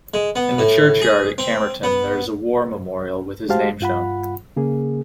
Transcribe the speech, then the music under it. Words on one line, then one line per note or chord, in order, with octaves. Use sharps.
In the churchyard at Camerton there is a war memorial with his name shown.
G#3
B3
A2
G#4
C4
B3
G#3 F#4 G4 C5 F5 A5
G2 F4 F#5 B5
C#3 A#3 G#4